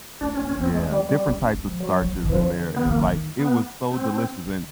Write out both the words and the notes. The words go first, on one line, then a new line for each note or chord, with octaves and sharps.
Yeah, different types of starches in there, and like, it was so delicious, and,
A3 D4
C#4
A#3
C#4
B3 C4
G#3 C4
G3
G3
C#4
C#4
G#3
F3
F#3
F#3
F3
E3
D#3
E3
D3 F3
B3
D#3 A#3
D#3
B3
C4
D3